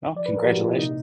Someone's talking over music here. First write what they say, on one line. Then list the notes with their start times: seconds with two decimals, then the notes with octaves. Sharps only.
Oh, congratulations.
0.15 F3 D5
0.26 B4
0.31 A#2
0.36 A#4
0.43 G4
0.47 F3 F#4
0.57 F4
0.63 A#2 E4
0.78 C3 D#4